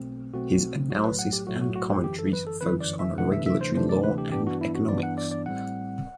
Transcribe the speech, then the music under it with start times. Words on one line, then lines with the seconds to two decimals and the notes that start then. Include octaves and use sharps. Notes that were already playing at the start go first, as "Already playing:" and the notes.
His analysis and commentaries focus on regulatory law and economics.
Already playing: B1 B2 A3 C4
0.34 B1 B2 A3 C4 F#4
0.90 B1 A2 F#3 A3 F#4
1.04 B4
1.19 F#5
1.33 G4
1.47 B1 A2 F#3 A3 F#4
1.61 F#4
1.76 F#4
1.90 G4
2.04 G1 F#2 E3 G4
2.19 A4
2.33 B4
2.47 A4
2.61 G1 F#2 E3 B4
2.81 D5
2.99 E5
3.18 D2 C3 E3 A3 D4 F#5
3.32 E5
3.46 E5
3.61 C5
3.75 D2 C3 E3 A3 D4 C5
3.89 D5
4.04 B4
4.18 G4
4.32 G2 E3 B3 D4 G4
4.47 F#4
4.61 E4
4.75 F#4
4.89 G2 E3 B3 D4 D5
5.03 F#5
5.18 D5
5.31 D5
5.46 A1 A2 G3 C4 F#5